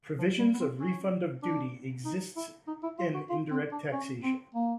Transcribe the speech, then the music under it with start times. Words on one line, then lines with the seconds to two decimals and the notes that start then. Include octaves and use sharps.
Provisions of refund of duty exists in indirect taxation.
0.18 F3
0.39 G3
0.54 B3
0.60 C4
0.80 C#4
1.43 D4
2.05 D#4
2.36 E4
2.67 D#4
2.83 E4
2.99 F4
3.14 F#4
3.30 F4
3.51 C4
3.72 D4
3.92 C#4
4.24 C4
4.54 A#3